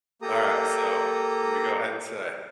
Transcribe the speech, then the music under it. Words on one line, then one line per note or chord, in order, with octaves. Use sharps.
Alright, so, let me go ahead and say
A#3 G4 A4 A#5 D#6